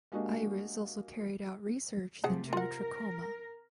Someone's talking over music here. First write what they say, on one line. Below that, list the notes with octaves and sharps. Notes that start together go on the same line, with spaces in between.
Ayres also carried out research into trachoma.
G#3 A#3 D4 F#4 G4 D#5
C3 F3 A3 G#4 F#5
F4 A#4 F#5